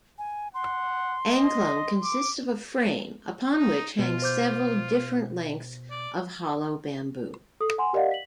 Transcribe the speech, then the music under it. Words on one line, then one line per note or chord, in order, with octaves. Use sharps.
Angklung consists of a frame upon which hang several different lengths of hollow bamboo.
G#5
F#5 C6
D#5
D6
D#4
B2 F4
C5 D6 G6
D5
A4 D#6
F#5 G#5 C6
G4 A#4 D5 D#5 F5 F#5
B6 F#7